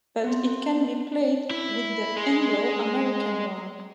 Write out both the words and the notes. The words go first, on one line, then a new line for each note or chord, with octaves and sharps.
But, it can be played with the Anglo-American one.
B3 C4
E4
G#3